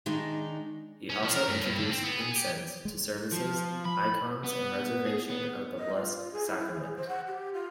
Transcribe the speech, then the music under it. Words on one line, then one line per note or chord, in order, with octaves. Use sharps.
He also introduced incense to services, icons and Reservation of the Blessed Sacrament.
D#3 G#3 D4 D#4
C#4
F3
A#4
G2
G2
D3
C4
B3
G#4
G4
G#3
F3
B5
B3
G#4
B3
D#5
F4
G#4
E4
E4
G#4
C5
F#5
G4
F4